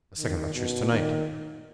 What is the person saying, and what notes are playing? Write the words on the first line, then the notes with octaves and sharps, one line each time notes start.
The second lecture's to-night.
D#3
B2
D#3